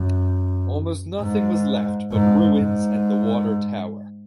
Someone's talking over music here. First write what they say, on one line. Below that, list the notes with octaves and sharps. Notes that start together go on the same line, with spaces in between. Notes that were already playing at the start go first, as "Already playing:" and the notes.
Almost nothing was left but ruins and the water tower.
Already playing: F#2
G#2
G#2
G#2